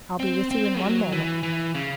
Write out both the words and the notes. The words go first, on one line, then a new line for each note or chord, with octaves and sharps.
I'll be with you in one moment.
C4
C4
F#3
E3
E3
C#3